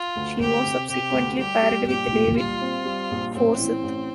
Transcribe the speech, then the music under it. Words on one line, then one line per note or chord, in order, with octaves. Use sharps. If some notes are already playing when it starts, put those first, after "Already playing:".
She was subsequently paired with David Forsyth.
Already playing: F4
D2
D2 G4
C3
C3 G4
D2
G3 G4
G3
A#1 G4
A#2
G3 F4
C4
G3
A#1
A1 C4
E3
A1